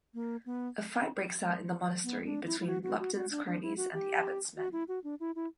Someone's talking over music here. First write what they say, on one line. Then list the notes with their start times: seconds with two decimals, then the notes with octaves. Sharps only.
A fight breaks out in the monastery between Lupton's cronies and the Abbot's men.
0.14 A#3
0.46 B3
2.04 B3
2.25 D4
2.46 E4
2.60 E4
2.67 F#4
2.83 F#4
3.00 F#4
3.15 F#4
3.31 D4
3.47 D4
3.62 E4
3.77 F#4
3.94 G4
4.57 F#4
4.72 E4
4.88 F#4
5.04 D4
5.20 E4
5.36 E4